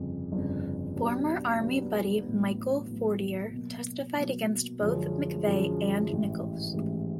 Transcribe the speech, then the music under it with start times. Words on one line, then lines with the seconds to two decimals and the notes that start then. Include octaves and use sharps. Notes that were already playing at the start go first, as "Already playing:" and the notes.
Former army buddy Michael Fortier testified against both McVeigh and Nichols.
Already playing: G1 F2 C#3
0.32 G1 F2 C#3
0.96 B2 F#3 B3 D4 G4
1.59 B2 F#3 B3 D4 G4
2.23 A1 A2 F#3 B3
2.88 A1 A2 F#3 B3
3.52 B2 F#3 A#3
4.17 B2 F#3 A#3
4.81 F#2 D3 F3 G#3 C#4
5.45 F#2 D3 F3 G#3 C#4
6.08 A1 G#2 E3
6.73 A1 G#2 E3